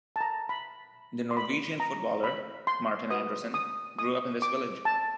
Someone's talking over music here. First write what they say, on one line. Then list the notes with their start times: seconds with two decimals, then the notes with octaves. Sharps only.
The Norwegian footballer Martin Andresen grew up in this village.
0.16 A5
0.21 A#5
0.49 B5
1.31 C6
1.37 B5
1.80 A#5
2.24 B5
2.67 C6
3.10 F#4 B4 D#6
3.54 D#6
3.99 D#6
4.42 D6
4.85 A5